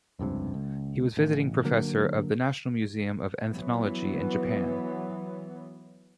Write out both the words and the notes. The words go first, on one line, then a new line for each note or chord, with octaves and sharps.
He was visiting professor of the National Museum of Ethnology in Japan.
F1 C#2 G2 C3
C#2
A1
D3 F#3 A#3
E3 F#3 B3